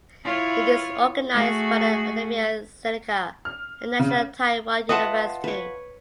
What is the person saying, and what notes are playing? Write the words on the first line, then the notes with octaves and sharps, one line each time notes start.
It is organised by the Academia Sinica and National Taiwan University.
E4 F4 C#5
A3 F#4 G#4
F6
C#3
F4 B4 D#5 E5 F#5 A5 D#6
B4 C#5